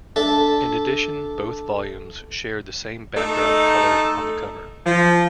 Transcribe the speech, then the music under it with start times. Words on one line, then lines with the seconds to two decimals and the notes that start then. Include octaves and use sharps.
In addition, both volumes share the same background color on the cover.
0.16 D4 A4 E5
3.16 A3 D#4 A4
4.86 F3